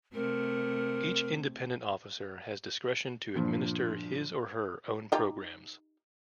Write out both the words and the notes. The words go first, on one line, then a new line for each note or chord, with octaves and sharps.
Each independent officer has discretion to administer his or her own programs.
C3 A3 A#4
G2 A#2 F3
D#4 F4 G4